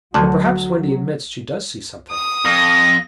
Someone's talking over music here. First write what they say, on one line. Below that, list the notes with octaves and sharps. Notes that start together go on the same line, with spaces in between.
Or perhaps Wendy admits she does see something.
D2 F#3 D4
D#6
F2 A#6